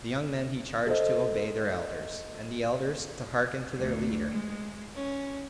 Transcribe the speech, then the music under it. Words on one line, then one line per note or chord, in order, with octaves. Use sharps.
The young men he charged to obey their elders, and the elders to hearken to their leader.
A4 C5 D#5
D2
G#3
C#4